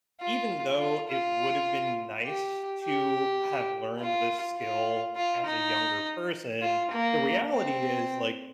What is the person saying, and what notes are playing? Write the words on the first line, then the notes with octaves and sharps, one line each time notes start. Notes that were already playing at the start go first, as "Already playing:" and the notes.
even though it would have been nice to have learned this skill as a younger person, the reality is, like,
F4
F4
F4
G4
G4
F4
F4
F4
D#4
F4
A#3
C4